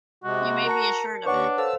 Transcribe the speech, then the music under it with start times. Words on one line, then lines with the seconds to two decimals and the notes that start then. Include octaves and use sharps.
You may be assured of it.
0.24 C3 G#3 F#4
0.67 A#4 A5 A#5 C#7
1.26 D#2 D4 B4 C#5 F#5 C#6
1.58 A4 C5 F5 A5 E6